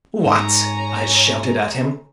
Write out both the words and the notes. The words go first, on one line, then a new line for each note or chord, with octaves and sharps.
"What!" I shouted at him.
G#2 C#5 G#5 A#5